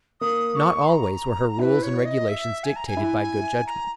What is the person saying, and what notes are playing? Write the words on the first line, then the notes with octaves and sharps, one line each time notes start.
Not always were her rules and regulations dictated by good judgment.
A#3 D#6
C#6
A#5
E4 B4
C#5
D#5
E5
G#5
A#5
G#5
E4
A#5